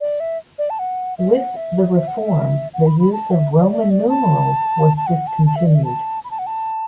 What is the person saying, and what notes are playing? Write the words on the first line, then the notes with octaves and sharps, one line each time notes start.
With the reform the use of Roman numerals was discontinued.
D5
E5
D5
A5
F#5
E5
F#5
E5
E5
F#5
F#5
E5
F#5
B5
B5
A5
E5
D5
D5
E5
D5
A5
A5
F#5
A5
A5
E5
D5
E5
A5
B5
A5
F#5
A5